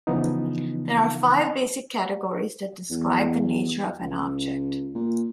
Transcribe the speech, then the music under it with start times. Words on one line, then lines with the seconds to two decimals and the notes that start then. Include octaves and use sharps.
There are five basic categories that describe the nature of an object.
0.07 C#3 E3 F3 B3 D#4
2.90 E2
4.01 C#2
4.95 A#2